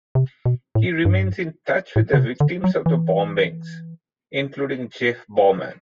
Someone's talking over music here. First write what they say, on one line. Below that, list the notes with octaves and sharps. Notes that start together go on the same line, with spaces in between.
He remains in touch with the victims of the bombings, including Jeff Bauman.
C3
B2
A2
G2
A2
D3
C3
D3
F#3
E3